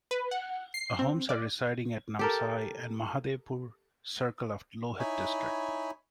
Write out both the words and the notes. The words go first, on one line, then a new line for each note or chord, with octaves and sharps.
Ahoms are residing at Namsai and Mahadevpur circle of Lohit district.
B4
F#5
C7
C4
D5
G4 A4 A#4
D#4 E4 C#5 G#5 B5